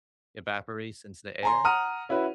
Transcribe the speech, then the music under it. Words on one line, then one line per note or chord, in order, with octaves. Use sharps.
evaporates into the air.
G#5 A#5 C6
F#5 A#5 D#6 F6 D#7
C#4 E4 F#4 B4